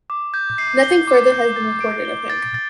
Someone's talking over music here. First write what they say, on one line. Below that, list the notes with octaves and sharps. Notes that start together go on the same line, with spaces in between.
Nothing further has been recorded of him.
D6
G6
C7
G7
D6
G6
A6
D7
G7
A6
A6